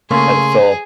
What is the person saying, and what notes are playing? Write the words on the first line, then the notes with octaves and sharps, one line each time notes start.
had to fill
C#3 A3 A#3 G#4 C6